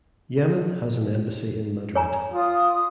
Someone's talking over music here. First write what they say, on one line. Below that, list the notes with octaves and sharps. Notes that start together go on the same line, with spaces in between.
Yemen has an embassy in Madrid.
C#5 G#5 A#5
F4 D#6